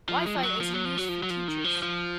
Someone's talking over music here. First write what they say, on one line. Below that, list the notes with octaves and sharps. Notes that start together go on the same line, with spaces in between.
WiFi is in use for teachers.
F3
G#3
F3
F#3
F3
F#3
F3
F#3
F3
F#3
F3
D#3
F3
F3